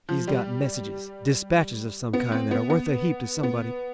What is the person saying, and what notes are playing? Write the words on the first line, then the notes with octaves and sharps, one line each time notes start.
He's got messages, dispatches of some kind that are worth a heap to somebody.
F3
G3
B3
C4
B3
B3
B3